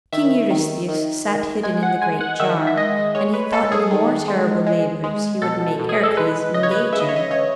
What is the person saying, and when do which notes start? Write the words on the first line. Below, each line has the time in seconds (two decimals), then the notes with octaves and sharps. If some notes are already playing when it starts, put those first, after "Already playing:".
King Eurystheus sat hidden in the great jar, and he thought of more terrible labors he would make Heracles engage in.
0.13 D#3 E5
0.51 D#3
0.89 D#3
1.27 D#3
1.63 G#3 G#5
1.83 F#5
2.02 G#3 G#5
2.21 F#5
2.40 D#3 E5
2.67 E5
2.77 G#3 D#5
3.15 G#3 C#5
3.34 B4
3.52 G#3 A4
3.72 G#4
3.91 D#3
4.28 G#3
4.66 G#3
5.04 G#3
5.42 B2 A4
5.79 B2
5.89 G#4
6.03 A4
6.17 G#3 B4
6.54 C#3 D#5
6.63 C#5
6.71 B4
6.78 C#5
6.93 C#3 E5
7.00 D#5
7.09 C#5
7.16 D#5
7.30 C#3 C#5